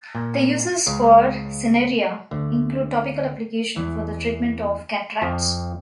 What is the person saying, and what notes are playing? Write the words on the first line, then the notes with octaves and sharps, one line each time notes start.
The uses for "Cineraria" include topical application for the treatment of cataracts.
A#2
C#2 C#3
D2 D3
E2 E3
F2 F3